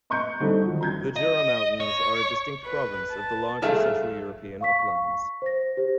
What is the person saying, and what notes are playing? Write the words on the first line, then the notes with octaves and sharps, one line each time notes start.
The Jura Mountains are a distinct province of the larger Central European uplands.
D#5 A#5 C#6 F#6 G6 C#7
D3 G3 C4 D4 D#4 A4
D#3 F3 F#3
A#5 G6 G#6
D#5
C#5
B4
A5
G#4 A4 E5 F5
F5 C#6 B6
C#6
C5 A#6
G4 C5